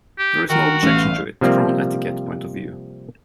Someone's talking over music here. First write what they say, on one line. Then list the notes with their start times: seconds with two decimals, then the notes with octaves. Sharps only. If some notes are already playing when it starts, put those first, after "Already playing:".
There's no objection to it from an etiquette point of view.
0.18 G4
0.49 D#3 F#4 A#4
0.83 A1 B2 A3 F5
1.41 C3 F3 G3 A#3 C4